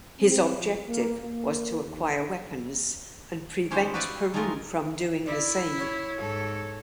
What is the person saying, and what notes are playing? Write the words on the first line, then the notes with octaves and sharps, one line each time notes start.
His objective was to acquire weapons and prevent Peru from doing the same.
C4
F3
A#3
A#3
D#2
D#3 G#3 C#4 G4 C5
F#4 G4 B4 D5 E5 F5
D#3 G#3 A3 C#4 F4 A#4
E4 D5
C#5
G#2 A4